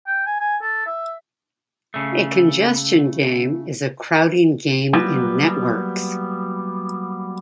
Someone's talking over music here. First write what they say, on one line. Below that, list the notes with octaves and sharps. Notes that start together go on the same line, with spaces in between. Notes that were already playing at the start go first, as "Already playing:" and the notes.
A congestion game is a crowding game in networks.
G5
G#5
G#5
A4
E5
C#3 A3
F#3 G3 A#3 B3